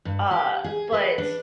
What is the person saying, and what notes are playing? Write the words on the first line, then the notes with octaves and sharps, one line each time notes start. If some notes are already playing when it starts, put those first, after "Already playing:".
Uh, but
G2
G4
G#4
B4
D4